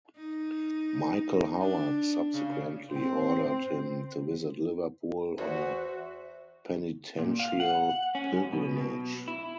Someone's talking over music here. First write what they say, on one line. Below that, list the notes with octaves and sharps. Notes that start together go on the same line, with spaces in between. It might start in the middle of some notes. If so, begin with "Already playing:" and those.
Michael Howard subsequently ordered him to visit Liverpool on a "penitential pilgrimage".
D#4
D4
C#3
C4
E2 F#4 C5 E5
A#2
F5
F#5
C#4
F#2
B2
B2
E4